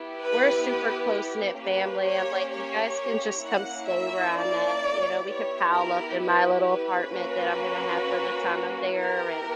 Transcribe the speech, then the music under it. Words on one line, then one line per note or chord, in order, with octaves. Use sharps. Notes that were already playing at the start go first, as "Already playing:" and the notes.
we're a super close-knit family. I'm like, you guys can just come stay where I'm at. You know, we could pile up in my little apartment that I'm gonna have for the time I'm there, and,
Already playing: B3 E4 G4
B4
B4
A#3 C#4 G4 B4
C#5
C#5
A#3 C#4 E4 F#5
E5
D5
B3 E4 G4 C#5
A#4
B4
B4
A#3 C#4 F#4
B3 E4 G4 A#4